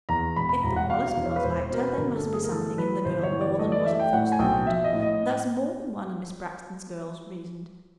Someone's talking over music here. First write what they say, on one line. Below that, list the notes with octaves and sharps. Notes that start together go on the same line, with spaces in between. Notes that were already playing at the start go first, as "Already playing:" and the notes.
If the Wallace girls liked her, there must be something in the girl more than was at first thought--thus more than one of Miss Braxton's girls reasoned.
E2 A#5
E1 B5
B5
E1 A#5
F#5
B2 F5
F5
E2
C#5
B4
E1 C5
C5
B2 A#4
B4
G1 A#4
A4
A3
G#4
A#4
E3 A4
E3 B4
G1 C5
C#5
E3
D5
A3 D#5
D5
A3 E5
G5
A2 F#5
G#5
B1 G5
F3 E5
D#5
A2
D#5